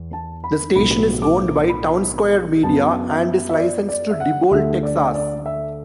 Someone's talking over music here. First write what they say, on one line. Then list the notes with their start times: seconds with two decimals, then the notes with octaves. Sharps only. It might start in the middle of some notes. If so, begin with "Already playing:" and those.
The station is owned by Townsquare Media and is licensed to Diboll, Texas.
Already playing: E2
0.13 A5
0.44 B5
0.75 B1 A2 F#3 B3 B5
1.22 D6
1.69 B5
2.63 F#2 F#3 B3 A5
3.10 E5
3.49 E5
3.57 D5
3.89 D5
4.11 E5
4.20 F#5
4.51 D2 D3 A3 E5
4.83 D5
5.14 D5
5.46 E5